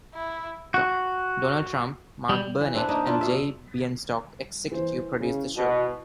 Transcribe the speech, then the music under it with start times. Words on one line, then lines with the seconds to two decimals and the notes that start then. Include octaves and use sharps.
Donald Trump, Mark Burnett and Jay Bienstock executive produced the show.
0.14 E4
0.74 F#4
2.29 G3
2.61 E3
2.74 C4 D4 E4 B4
2.88 A#3 D4 D#4
3.07 D4 E4 F4
3.21 B2 E5
4.72 E3 C5
5.18 C#3
5.55 B2